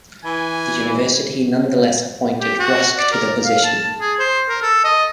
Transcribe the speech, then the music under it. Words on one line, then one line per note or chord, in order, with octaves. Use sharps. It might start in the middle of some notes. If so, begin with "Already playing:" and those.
The university nonetheless appointed Rusk to the position.
E3 G#5
G4
F#4
D5
A#4
F5
A5
G#4
C5
A#4
A4
D#5